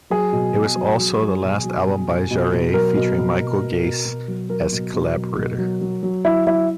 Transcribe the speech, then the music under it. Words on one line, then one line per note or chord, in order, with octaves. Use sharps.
It was also the last album by Jarre featuring Michel Geiss as collaborator.
F#3 G#4
B2
B2
F#3
F#3
F#3
B2
F#3
B2
B2
B2
B2
F#3 A#4
B2
B2
B2
B2
B2
B2
F#3
F#3 A#4
B2
B2
F#3
B2
F#3
F#3
F#3
F#3 E4
F#3 E4